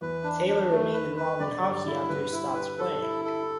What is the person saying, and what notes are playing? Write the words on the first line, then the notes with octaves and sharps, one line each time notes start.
Taylor remained involved in hockey after he stopped playing.
E2 E3 B4
D4
D4
A3
B4
B4
D3 D4 D5
G2 G3 D5
D3 E4
D3 B4
E4
B4
A4
E4
A4